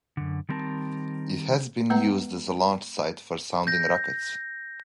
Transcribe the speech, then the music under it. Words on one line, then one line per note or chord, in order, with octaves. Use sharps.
It has been used as a launch site for sounding rockets.
F#2 D3
D#3 G3 C4 A#4 A5
G#3 B3 B4 F#5 A#5
G6 A#6